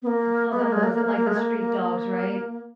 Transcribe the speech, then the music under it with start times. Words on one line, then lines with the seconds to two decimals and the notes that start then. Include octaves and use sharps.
I call them those, eh, like, the street dogs, right?
0.02 B3
0.07 A#3
0.50 B3
0.61 A#3
0.72 G#3
0.83 A#3
0.94 A#3
1.05 A#3
1.15 A#3
1.27 G#3
1.37 A#3
1.59 A#3
1.81 A#3